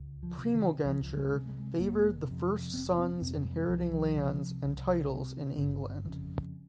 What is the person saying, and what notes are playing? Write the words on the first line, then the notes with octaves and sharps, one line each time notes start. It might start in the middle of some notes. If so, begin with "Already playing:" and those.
Primogeniture favored the first sons' inheriting lands and titles in England.
Already playing: C#2
F3
C3
D#3
C#2 F3
G#3
C3
G#3
F1 A#3
F2 C3
F1 C4
C4
F2 C3 C4
G#3
C2 F3
C3
C2
C3
G1
F2 C#3